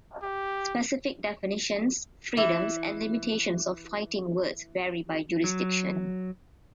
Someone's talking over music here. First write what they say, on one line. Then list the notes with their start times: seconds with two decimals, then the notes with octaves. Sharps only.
Specific definitions, freedoms, and limitations of fighting words vary by jurisdiction.
0.23 G4
2.37 E3 E4
5.44 F#3